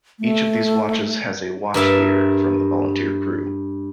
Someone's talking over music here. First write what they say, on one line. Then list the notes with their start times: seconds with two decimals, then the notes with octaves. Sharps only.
Each of these watches has a Watch Leader from the volunteer crew.
0.20 A3
1.74 G2 A#4 E5 A5